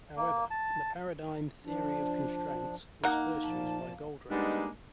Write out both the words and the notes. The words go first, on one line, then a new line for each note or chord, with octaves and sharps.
However, the paradigm "Theory of constraints" was first used by Goldratt.
A#3
A5
F3 D4
A#3 D#4 F#5
A#2 F3 A5
G3 G#3 A#3 B3 D4 D#4